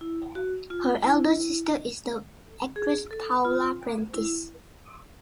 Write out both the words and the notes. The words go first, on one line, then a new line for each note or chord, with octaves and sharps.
Her elder sister is the actress Paula Prentiss.
E4
F#4
F4
E4
G#4
A4
F4
E4